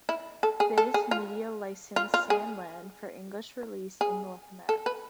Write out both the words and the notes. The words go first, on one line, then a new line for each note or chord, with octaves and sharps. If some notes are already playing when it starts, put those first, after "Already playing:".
Viz Media licensed "Sand Land" for English release in North America.
E4
A4
G#4
A4
G#4
F4
F4
F4
G#4
G#4
A4
B4